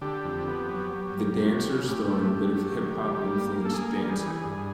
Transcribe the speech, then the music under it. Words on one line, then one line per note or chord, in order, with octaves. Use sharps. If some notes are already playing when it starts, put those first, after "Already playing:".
The dancers throw in a bit of hip-hop influenced dancing.
D3 G4
F2
B3
F#3
F#3
A#3
F#3
C#3
A2 G4
A3
A3
F#3
D#3
G3
A#3
A#3
A4
A#3 G#4
G3
E3
G2